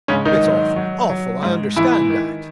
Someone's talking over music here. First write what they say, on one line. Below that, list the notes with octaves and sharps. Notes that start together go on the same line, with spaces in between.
It's awful, awful, I understand that!
G#2 C#3 C#4
D#3 D#4
F#3
F#3
F#3
G#2
G#2 E3 E4
D#3